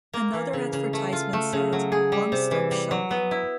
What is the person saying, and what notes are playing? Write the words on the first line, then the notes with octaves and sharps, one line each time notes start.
Another advertisement said, One-stop shopping.
A#3
E3
C#3
C#3
A3
F4
A3
C#3
F#3
G#4
G3
C3
E3
G3
F#3
B3
E4